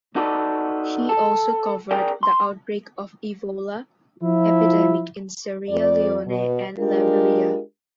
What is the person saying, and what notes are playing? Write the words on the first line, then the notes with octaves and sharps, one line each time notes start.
He also covered the outbreak of Ebola epidemic in Sierra Leone and Liberia.
D#4 F#4 A4 B4 D5
A4
G#4 A#4 D5 G5
C6
F3 E4
F2 D5
B2
G#3 D4 F4 G4 A#4